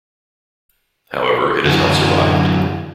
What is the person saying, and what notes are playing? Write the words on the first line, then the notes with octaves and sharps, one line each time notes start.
However, it has not survived.
F#2 D3 E3 F#3